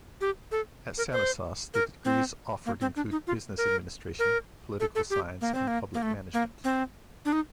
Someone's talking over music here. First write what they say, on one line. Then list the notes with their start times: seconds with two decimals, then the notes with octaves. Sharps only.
At Salesas, the degrees offered include business administration, political science and public management.
0.21 G4
0.51 A4
0.98 A#4
1.12 C5
1.74 A#4
2.05 C4
2.66 A#3
2.81 C4
2.96 D4
3.11 D#4
3.27 F4
3.58 A#4
4.19 A#4
4.80 A4
4.95 A4
5.10 G4
5.41 A#3
5.54 C4
5.67 A#3
5.94 A#3
6.03 A3
6.34 A#3
6.64 C4
7.25 D4
7.33 D#4